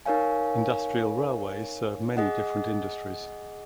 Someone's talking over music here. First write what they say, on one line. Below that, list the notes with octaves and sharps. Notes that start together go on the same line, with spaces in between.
Industrial railways serve many different industries.
D#4 A#4 C#5 F5 G#5
G#4 D#5 F#5